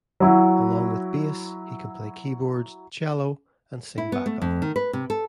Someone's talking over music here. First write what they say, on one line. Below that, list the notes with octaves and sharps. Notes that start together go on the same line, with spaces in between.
Along with bass, he can play keyboards, cello, and sing back up.
F#3 E4 F#4
E4
B3
A3
F2
D#3
B4
C3
A4